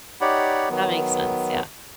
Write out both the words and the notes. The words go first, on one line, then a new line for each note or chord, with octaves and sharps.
That makes sense, yeah.
D#4 G4 C#5 D5 F#5 B5
D#3 F#3 B3